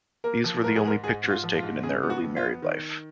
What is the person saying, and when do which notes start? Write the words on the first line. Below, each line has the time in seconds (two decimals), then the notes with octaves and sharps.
These were the only pictures taken in their early married life.
0.24 A#3 A#4
0.44 F3
0.64 G#2 A#4
0.76 G#4
0.84 G#2 A#4
1.03 G#2 G#4
1.24 G#2
1.30 F4
1.44 F3
1.57 F4
1.63 G#2
1.83 C#3 G#4
2.03 B3
2.10 F#4
2.22 F2
2.37 F4
2.43 B3
2.62 D#3